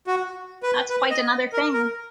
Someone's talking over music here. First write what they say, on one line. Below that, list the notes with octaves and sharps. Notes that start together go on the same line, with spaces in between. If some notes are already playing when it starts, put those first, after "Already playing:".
That's quite another thing!
F#4
B4
B4
D#5
A#4
A#4